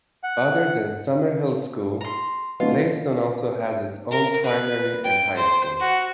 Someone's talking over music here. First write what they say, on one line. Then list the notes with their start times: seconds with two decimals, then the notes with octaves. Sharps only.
Other than Summerhill School, Leiston also has its own primary and high school.
0.23 F#5
2.01 A#5 C6
2.60 D1 B2 F4
4.12 A#4
4.45 B4
5.05 G5
5.37 C5
5.80 F#4